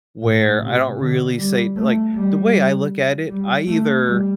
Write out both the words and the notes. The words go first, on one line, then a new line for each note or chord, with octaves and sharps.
where I don't really say like, the way I look at it, I either
A2
C3
D3
G3
A3
G3
G3
A3
G3